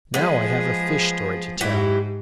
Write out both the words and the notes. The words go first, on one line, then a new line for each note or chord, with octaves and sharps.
Now I have a fish story to tell.
F3 G#3 B3 G#4
G#2 F#3 E4 G4